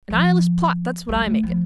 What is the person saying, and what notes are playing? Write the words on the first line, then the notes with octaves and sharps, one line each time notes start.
A Nihilist plot--that's what I make it.
F3
G3
A3
F3